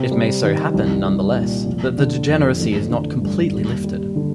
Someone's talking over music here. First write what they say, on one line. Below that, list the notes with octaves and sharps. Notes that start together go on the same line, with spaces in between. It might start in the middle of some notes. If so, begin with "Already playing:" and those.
It may so happen, nonetheless, that the degeneracy is not completely lifted.
Already playing: C3
G3
D#3
C2
G3
A#2
F1
D3
F2
A1
D3
G2
D#2
G3
D3